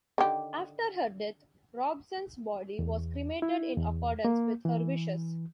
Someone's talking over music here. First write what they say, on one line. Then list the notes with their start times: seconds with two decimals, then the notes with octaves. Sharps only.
After her death, Hobson's body was cremated in accordance with her wishes.
0.18 D3 D#3 G4
2.79 E2
3.42 E4
3.77 E2
4.25 A#3
4.65 E3